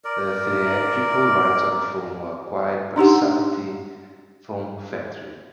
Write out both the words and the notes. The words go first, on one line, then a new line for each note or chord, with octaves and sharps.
The theatrical rights of the film were acquired by Sakthi Film Factory.
A#4 D5
D4 D#4 G4 F#5